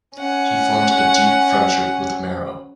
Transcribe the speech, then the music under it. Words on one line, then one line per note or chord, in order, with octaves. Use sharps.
He formed a deep friendship with Marrow.
C#4 F#5